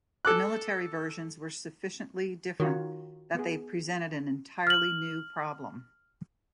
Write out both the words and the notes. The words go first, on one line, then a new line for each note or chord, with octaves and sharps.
The military versions were sufficiently different that they presented an entirely new problem.
A4 D6 F#6
D#3 F4 F#4 C#5
B3 G#4
F6 F#7